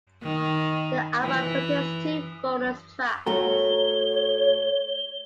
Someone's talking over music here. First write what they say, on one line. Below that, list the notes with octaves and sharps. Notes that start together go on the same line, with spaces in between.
The album contains two bonus tracks.
D#3
E3
A3 F#4 A#4 C#5 G7